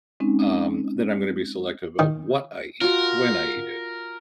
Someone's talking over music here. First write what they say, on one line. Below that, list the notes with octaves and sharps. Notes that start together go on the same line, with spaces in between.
um, then I'm gonna be selective of what I eat, when I eat it,
G#3 C4 C#4 D#4
D#3
F4 F#4 A#4